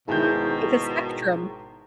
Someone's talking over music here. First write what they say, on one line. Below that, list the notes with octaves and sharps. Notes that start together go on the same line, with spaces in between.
It's a spectrum.
G#1 B2 D#3 E4 G#4 A5 G6